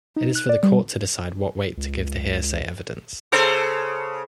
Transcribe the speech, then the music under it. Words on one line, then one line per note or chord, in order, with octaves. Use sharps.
It is for the court to decide what weight to give the hearsay evidence.
D#4
F#6
D5
G3
C#2
C#3 A4 C5